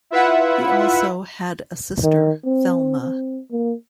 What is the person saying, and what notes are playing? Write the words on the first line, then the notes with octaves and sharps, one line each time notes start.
He also had a sister, Thelma.
E4 F4 B4 E5 F#5
D#3
C4
C4
A#3